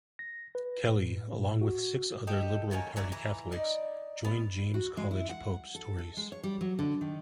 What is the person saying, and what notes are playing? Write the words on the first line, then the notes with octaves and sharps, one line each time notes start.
Kelly, along with six other Liberal party Catholics, joined James Colledge Pope's Tories.
A#6
B4
A2
A#2
F#4
G4 A4 D#5
D#3 F#3 A#3 C#4
A#2 F#3 E4 D5
E3 A#5
D#4 D5
B3
F#4
G#3
E4
F#5
A4
A4
G#3
C#5
G3
F#3
D3
D#3